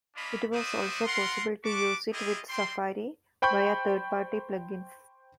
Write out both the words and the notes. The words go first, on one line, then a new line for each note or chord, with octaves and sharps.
It was also possible to use it with Safari via third-party plug-ins.
A#3 C#4 D4 F4 D#5 B5
B3 F#4 C5 D5 E5 D#6
F4 A#4 F#5 C6
F#4 B4 A5 C#6 D6
E4 F4 G4 G#4 D#5
G3 C4 G5 C6
C5 G5 B5 C#6 G6